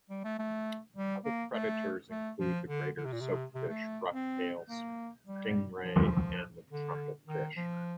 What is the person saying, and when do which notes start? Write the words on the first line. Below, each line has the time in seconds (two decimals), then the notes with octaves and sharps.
Other predators include the greater soapfish, roughtail stingray, and the trumpetfish.
0.10 G3
0.25 A3
0.39 A3
0.96 G3
1.25 A#3
1.53 A3
2.11 A3
2.40 F3
2.69 D3
2.97 D3
3.05 C3
3.13 A#2
3.21 C3
3.55 C3
3.69 A3
4.12 C4
4.70 A#3
5.27 G3
5.84 F3
6.71 D3
7.28 D#3
7.57 F3